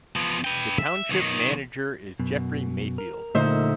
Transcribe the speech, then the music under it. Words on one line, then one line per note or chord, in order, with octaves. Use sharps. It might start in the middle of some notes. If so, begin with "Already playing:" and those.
The Township Manager is Jeffrey Mayfield.
F3 B3
B4 G5
E5
B1 D#3
F#2 B2
A#4
A#2 D3 A3 D#4 C5 E5